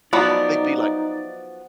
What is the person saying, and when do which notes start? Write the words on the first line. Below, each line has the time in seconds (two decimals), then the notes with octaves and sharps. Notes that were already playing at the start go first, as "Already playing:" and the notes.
They'd be like
0.13 F3 F#3 B3 D#4 D5